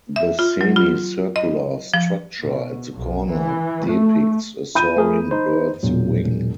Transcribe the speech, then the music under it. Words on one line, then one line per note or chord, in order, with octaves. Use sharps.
The semi-circular structure at the corner depicts a soaring bird's wing.
E5
F4
F#3
F4
D#5
F3
B2
B1
E3
A3
B5 G6 D#7
A3 G#4 A#4
D#4 C5
E1 A#2 F#3